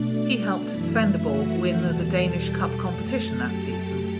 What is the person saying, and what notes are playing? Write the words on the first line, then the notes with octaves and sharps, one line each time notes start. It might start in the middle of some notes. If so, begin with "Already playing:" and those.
He helped Svendborg win the Danish Cup competition that season.
Already playing: B2 A3 D4 D5
D4 D5
F#2 E3 A3 E4 E5
F#4 F#5
E2 B2 G3 A4 A5
G4 G5
F#2 F#3 A3 A4 A5
G4 G5